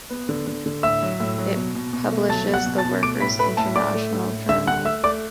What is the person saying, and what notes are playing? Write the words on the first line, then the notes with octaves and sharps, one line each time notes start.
It publishes the "Workers International Journal".
B3
D3
D3
D3
A2 E5 E6
F#3
A2
F#3
B2
B2
B2
A3
F#3 A5 A6
B2
F#5 F#6
B2
A5 A6
B2
A3 D6 D7
A2 B5 B6
A3 B4 B5
A2 A5
A2 D5 D6
A3
A2
A2
D3 E5 E6
D3 F#5 F#6
A3 E5 E6
A3 D5 D6